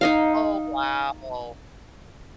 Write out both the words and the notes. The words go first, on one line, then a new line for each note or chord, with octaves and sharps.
Oh wow! Oh,
D#4 D#5 F5